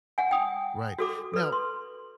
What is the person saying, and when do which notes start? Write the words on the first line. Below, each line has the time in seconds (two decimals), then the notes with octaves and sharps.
Right. Now
0.18 F#5 G#5
0.31 G5 D#6
0.99 F#4 A4 D6
1.34 A4 B4
1.52 C6